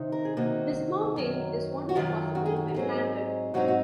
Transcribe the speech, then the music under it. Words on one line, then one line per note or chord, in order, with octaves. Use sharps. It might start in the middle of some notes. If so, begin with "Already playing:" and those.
Dismounting is only possible when landed.
Already playing: C3 D#3 D#4
A#4
G#4
C3 D#3 A#3 D#4 F#4
F#2 D#3 F#3
F#4
F#2 D#3 F#3 F4
F#4
G#4
F#4
F#4
G#2 F#3 C4 D#4 G#4
G#2 F#3 C4 D#4 F#4
F#4